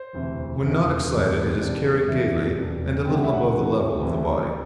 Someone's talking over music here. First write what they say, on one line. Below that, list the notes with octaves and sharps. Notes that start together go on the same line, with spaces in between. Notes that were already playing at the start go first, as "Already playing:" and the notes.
When not excited it is carried gaily, and a little above the level of the body.
Already playing: C5
E1 D2 C3 E3
E1 D2 C3 E3
E1 E2 C3 G3 D4
B4
C5
E1 E2 C3 G3 D4 D5
E1 E2 C3 G3 D4 E5
E1 E2 C3 G3 D4
D2 C3 E3 G3 D4 G5
F#5
E5
F#5
D2 C3 E3 G3 D4
D2 C3 E3 G3 D4
D5